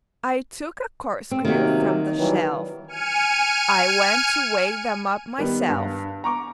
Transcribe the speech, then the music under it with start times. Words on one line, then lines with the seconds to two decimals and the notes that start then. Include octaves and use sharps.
I took a corkscrew from the shelf: I went to wake them up myself.
1.31 C4
1.45 C3 D#3 F#3 A#3
2.18 E3 F#3 G3
2.88 G#5 F6 C#7 D#7
5.38 D#3 G3 B3
5.69 G2
6.24 A#5 C#6 D6